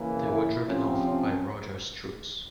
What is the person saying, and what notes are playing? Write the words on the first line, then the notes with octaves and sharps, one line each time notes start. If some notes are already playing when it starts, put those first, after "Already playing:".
They were driven off by Rogers' troops.
Already playing: C#3 E3 A#3
E4
C3 F3 C4 C#4
C#4